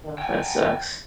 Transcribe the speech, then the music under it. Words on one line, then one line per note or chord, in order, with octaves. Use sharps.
Ugh, that sucks,
G5 G#5